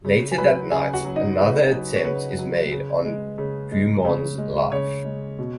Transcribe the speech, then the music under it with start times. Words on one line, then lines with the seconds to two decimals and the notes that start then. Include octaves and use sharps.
Later that night, another attempt is made on Drummond's life.
0.05 C#3
0.31 G#5
0.38 F#3 B4 B5
0.71 C#3 G#4 G#5
0.94 F#4 F#5
1.05 F#3
1.16 D#4 D#5
1.38 C#3 B4
1.71 F#3
1.96 C#5
2.05 C#3 B4
2.39 F#3
2.72 C#3
3.05 G#3
3.38 C#3
3.72 G#3
4.05 C#3
4.38 G#3
4.72 C#3 C#5
5.05 G#3
5.39 B2